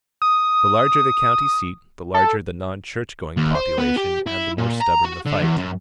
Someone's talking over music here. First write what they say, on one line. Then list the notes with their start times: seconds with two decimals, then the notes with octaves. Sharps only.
The larger the county-seat, the larger the non-church-going population and the more stubborn the fight.
0.22 D#6
2.14 A4
3.37 D#2
3.55 C5
3.78 B3
3.97 G4
4.27 E4
4.58 A#2
4.80 A#5
5.05 F#4
5.26 D3
5.42 E2
5.58 F#2